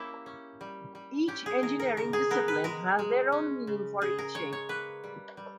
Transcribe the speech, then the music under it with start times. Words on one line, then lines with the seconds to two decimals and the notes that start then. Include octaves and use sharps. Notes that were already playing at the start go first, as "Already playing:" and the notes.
Each engineering discipline has their own meaning for each shape.
Already playing: A#3 C#4 E4 G4 A#4
0.26 C#4
0.61 G3
0.95 G3
1.28 C#4 G4
1.46 G#4
1.62 D#3 A#4
1.80 A#4
1.97 C#3 A#4
2.13 G#4
2.31 B3 A#4
2.48 B4
2.64 G#3 A#4
2.99 G#3
3.32 C#4
3.67 C#3
4.01 C#3 G#4
4.18 A#4
4.35 G#3 C#5
4.53 C#5
4.69 A#3 B4
5.04 G3
5.37 G3